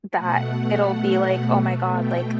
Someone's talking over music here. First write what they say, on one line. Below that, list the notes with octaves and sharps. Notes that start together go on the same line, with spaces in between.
That it'll be like, "Oh my god," like,
B2 A3 F#5
G5